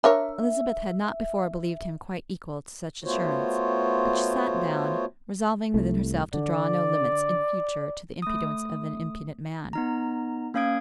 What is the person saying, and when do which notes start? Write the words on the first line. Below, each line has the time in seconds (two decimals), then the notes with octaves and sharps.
Elizabeth had not before believed him quite equal to such assurance; but she sat down, resolving within herself to draw no limits in future to the impudence of an impudent man.
0.04 D4 A#4 C#5 E5
3.04 A3 B3 F4 F#4 C5 C#5
5.74 C2 A3
6.34 D3 D5
8.22 A3 D#6
9.73 B3 D#4 A#5
10.54 A#3 C#4 F5 D#6 G#6 D7